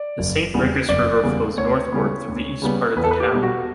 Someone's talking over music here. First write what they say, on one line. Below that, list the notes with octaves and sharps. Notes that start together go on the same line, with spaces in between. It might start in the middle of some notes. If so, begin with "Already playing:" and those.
The Saint Regis River flows northward through the east part of the town.
Already playing: D5
F#1
E2 C#3 G3 B3
F#1 D5
E2 C#3 G3 B3
D2 C#5
C#3 G3 B3
D2
C#3 G3 B3
E2 B4
A4
B4
G4
B2 G3 B3
F#4